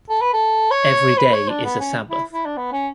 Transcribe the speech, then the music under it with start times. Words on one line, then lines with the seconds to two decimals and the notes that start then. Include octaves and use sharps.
Every day is a sabbath.
0.09 A4
0.21 B4
0.33 A4
0.71 C#5
1.17 B4
1.33 C#5
1.48 D4
1.64 B3
1.79 C#4
2.10 E4
2.33 E4
2.46 D4
2.57 B3
2.72 C#4